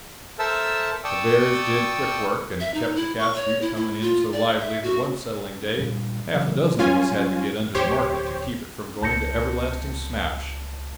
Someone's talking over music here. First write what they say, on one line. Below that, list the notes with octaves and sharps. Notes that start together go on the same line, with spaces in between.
The bears did quick work and kept the cash wheat coming in so lively that one settling day half a dozen of us had to get under the market to keep it from going to everlasting smash.
A4 A#4 C5 E5 A5 E6
D5 G5 A5 C#6 D#6 E6
E5
D#4
E4
C#6
C#5
E4
E4
F4
D5
E5
F#4
G2 A#2 G3
C#3 E3 F#3
F#3 G3 C#4 F4 G#5
D1 G4 C5 C#5
C#2 A5 G6 A#6 C#7